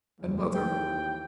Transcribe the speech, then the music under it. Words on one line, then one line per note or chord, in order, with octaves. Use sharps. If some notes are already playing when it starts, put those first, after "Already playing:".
"And mother?"
F#1 E2
D#2 E3 G5